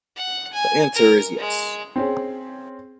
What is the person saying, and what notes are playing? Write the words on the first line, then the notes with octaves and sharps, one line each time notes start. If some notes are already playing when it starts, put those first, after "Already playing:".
The answer is yes.
F#5
G#5
A#4
G#3
C4 C#4 G#4